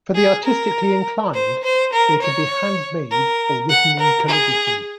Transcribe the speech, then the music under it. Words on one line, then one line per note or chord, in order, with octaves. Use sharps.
For the artistically inclined, they can be handmade or written in calligraphy.
G#4
A#4
C5
C5
A#4
C#5
A#4
F#5
A#4
G#4